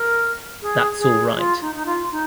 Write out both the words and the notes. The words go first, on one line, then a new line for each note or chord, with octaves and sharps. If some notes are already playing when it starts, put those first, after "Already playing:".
That’s all right.
Already playing: A#4
G#4
G#4
F4
D#4
D#4
F4
D#4